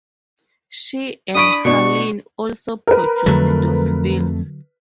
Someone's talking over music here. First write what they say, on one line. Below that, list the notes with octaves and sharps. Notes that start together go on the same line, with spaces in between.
She and Harlin also produced those films.
D4 B5 C#6 D#6 D7
B2 D4 C#6
A#4 B4
F2 D3 F#3 A3